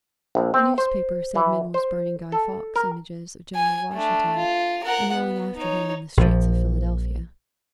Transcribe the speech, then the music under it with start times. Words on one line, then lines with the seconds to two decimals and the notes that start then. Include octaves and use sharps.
The newspaper said men was burning Guy Fawkes images of General Washington and yelling after him in the streets of Philadelphia.
0.35 A#1
0.54 C4
0.78 C5
1.35 E3
1.74 C5
2.32 A4
2.76 A#4
3.55 G#5
3.93 A3 D4
4.35 F4
4.84 A#4 F#5
5.14 B3
5.57 D#4 C#5
6.17 A#1 F3